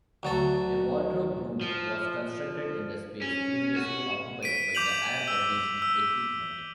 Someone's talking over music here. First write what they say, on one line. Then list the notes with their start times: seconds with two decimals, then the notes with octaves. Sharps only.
A wardrobe room was constructed in the space previously occupied by the air-conditioning equipment.
0.23 D2 F#3 A4
1.61 F3
3.22 C#4
3.76 F#4
4.43 B6 D7 D#7
4.75 D6 G6 F7 F#7
5.28 E6
5.82 E6